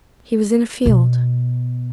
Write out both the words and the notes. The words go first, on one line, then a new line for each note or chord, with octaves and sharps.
He was in a field.
B2